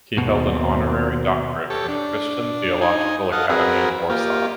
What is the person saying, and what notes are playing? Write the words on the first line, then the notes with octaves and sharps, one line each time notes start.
He held an honorary doctorate from the Christian Theological Academy in Warsaw.
D#2 B2 C4
G4 A4 C#5
D4
D#4 G#5
A4 D#5 F5 F#5
C4 F#4 G#4 A#4 B4
A#3 F4 G4